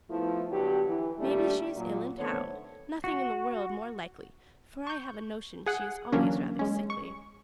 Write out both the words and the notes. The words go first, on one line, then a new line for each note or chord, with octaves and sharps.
May be she is ill in town; nothing in the world more likely, for I have a notion she is always rather sickly.
F3 A3 B3 E4
D3 F#3 B3 G4
E3
A#2 D#3 G3 A3 D4 G4
A#2 F#3
D3 D#3 A3 B3 C4 C#5
F#4
C#6 G6
G#4 F#5
D3 E3 F#3 A#3 C#4 D4
G#3 C#4
C#6